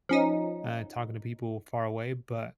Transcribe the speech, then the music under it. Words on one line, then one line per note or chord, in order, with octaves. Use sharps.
eh, talking to people far away, but,
F3 C#4 D#4